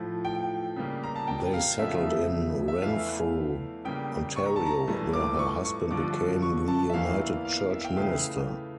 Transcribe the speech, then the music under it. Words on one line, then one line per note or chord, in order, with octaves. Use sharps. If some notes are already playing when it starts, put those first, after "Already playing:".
They settled in Renfrew, Ontario where her husband became the United Church minister.
Already playing: A2 F3 A3
G5
C#3 G3 A#3
A#5
A5
G5
F5
F2 C#3 F3 A3 E5
E5
E2 E3 A3 F5
C#3 G3 A#3 G5
C#6
A#5
A5
A#5
G2 E3 A3
D6
C#6
C#6
G2 D3 F3 D6
C#6
A5
E5
E2 E3 A#3 F5
F5
E5
G5
C#3 E3 A3 F5